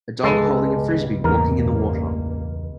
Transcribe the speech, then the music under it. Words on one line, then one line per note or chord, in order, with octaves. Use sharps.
A dog holding a Frisbee walking in the water.
C#2 G2 G#3 B3 A4
A1 E2 G2 A#3 A#4